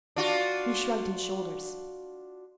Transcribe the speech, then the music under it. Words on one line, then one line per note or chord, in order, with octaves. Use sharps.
He shrugged his shoulders.
D4 F4 F#4